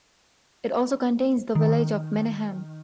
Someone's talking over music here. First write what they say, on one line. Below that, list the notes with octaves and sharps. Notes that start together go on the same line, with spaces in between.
It also contains the village of Meneham.
D#3